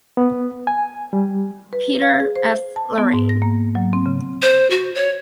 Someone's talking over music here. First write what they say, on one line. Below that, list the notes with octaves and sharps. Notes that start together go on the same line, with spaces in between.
Petre, F. Loraine.
B3
G#5
G3
B4
F5
G#4
C5
A5
B3
G#2
A#6
A#3
F#3
C4
C#3
C5
F#4
C#5